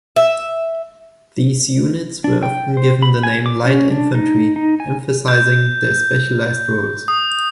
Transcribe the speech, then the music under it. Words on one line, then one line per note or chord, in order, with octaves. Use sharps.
These units were often given the name "light infantry", emphasising their specialised roles.
E5
D4
G5
C5
B5
G#5
D6
C#4
D4
D#4
D#4
G#5
G6
D#6